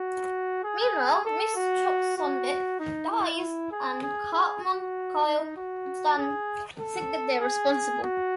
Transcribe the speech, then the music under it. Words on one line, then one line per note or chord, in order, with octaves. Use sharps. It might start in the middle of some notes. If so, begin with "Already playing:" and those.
Meanwhile, Ms. Choksondik dies and Cartman, Kyle and Stan think that they are responsible.
Already playing: F#4
G#4
A4
F#4
F#4
D#4
E4
G#4
G#4
G#4
F#4
D#4
F#4
G#4
A4
G#4
F#4